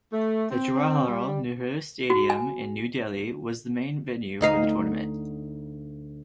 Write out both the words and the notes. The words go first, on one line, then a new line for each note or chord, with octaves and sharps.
The Jawaharlal Nehru Stadium in New Delhi was the main venue for the tournament.
A3
C4
G3
F#4
G#5
D2 D#4 F5